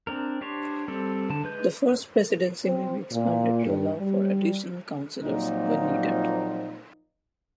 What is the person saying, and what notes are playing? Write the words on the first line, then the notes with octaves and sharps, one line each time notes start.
The First Presidency may be expanded to allow for additional counselors, when needed.
C4 D4 A#4
D4 G4 C5 C#5
G3 C4 A4
D3 A5
G#3 B4 G6
C4
A#2
G2
G3
A#2 F3 F#3 A#3 C4 D#4